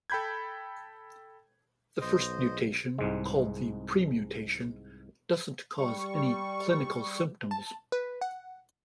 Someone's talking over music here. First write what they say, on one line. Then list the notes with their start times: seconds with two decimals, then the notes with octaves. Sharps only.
The first mutation, called the 'premutation', doesn't cause any clinical symptoms.
0.10 A4 G5 B5 G6 G#6
2.01 B1 C5 D#5
2.98 C2 G#2 G#3
5.78 G3 C#6
7.51 A5
7.92 B4
8.21 F#5